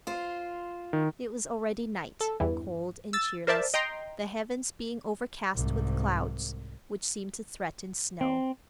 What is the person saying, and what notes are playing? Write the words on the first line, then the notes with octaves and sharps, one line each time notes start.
It was already night, cold and cheerless, the heavens being overcast with clouds which seemed to threaten snow.
F4 C5
D#3
A4
E2 G2 E3
E6 A6
A#4 C5 D5 E5 A5
D#5 G5 A#5 C6
C2 G#2
C4